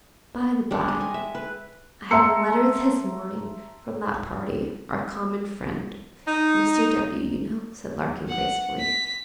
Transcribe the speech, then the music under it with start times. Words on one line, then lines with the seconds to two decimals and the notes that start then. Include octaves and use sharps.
'By-the-bye, I had a letter this morning from that party--our common friend, Mr. W., you know,' said Larkin, gracefully.
0.71 G3 G#3 D4
0.88 D#5
1.00 G#5
1.14 E5
1.35 B4
2.11 E5 A5 A#5 C6 E6 C#7
6.28 D#4
8.29 F#5
8.79 B6